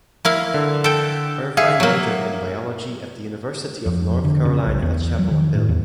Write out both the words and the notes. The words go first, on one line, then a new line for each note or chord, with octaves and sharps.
Irvine majored in biology at the University of North Carolina at Chapel Hill.
A#3 E4 F5
D3
A4 G5
G#4 E5 F5
F#3 A#3
F2
D3
C#3
B1
E2
F#3
D#3
A2
E2